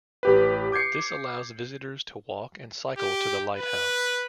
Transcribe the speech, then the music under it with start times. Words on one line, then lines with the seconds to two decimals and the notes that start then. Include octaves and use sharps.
This allows visitors to walk and cycle to the lighthouse.
0.23 A1 G4 B4
0.72 D6 G6 G#6 C7 C#7
2.98 G4
3.56 B4